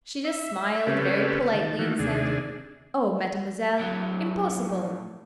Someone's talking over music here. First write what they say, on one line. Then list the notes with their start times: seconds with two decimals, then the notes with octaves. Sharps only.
She just smiled very politely and said, 'Oh, mademoiselle, impossible!
0.24 E5
0.87 C#3 C4 C#4 G4 A4 B4
1.53 D#3 A5
1.79 D#3 E3 A3 A#3 F#4
1.99 D#2 C3 D4 G#4
3.80 A2 F#3